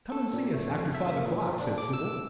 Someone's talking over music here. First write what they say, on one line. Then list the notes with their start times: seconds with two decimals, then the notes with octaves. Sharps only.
"Come and see us after five o'clock," said Sybil.
0.12 A4
0.33 A#2
0.54 A3
0.70 F2
0.95 E5
1.10 A#3
1.27 A#2
1.47 F3
1.60 D4
1.78 D6
1.93 E6